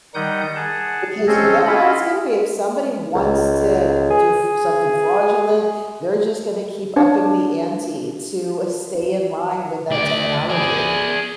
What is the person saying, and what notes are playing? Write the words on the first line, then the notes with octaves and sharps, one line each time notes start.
because you know how it's gonna be if somebody wants to do f something fraudulent, they're just gonna keep upping the ante to stay in line with that technology.
D#3 G3 D#4 F#5 D#6 G6
G#4 F#5 A5
C4 C#4 A4 C5 C#5 D#5
C#4 E4 F4 D#5 F5 B5
C#2
G#4
D4 C#5 A5
D2 D5
G#4 D5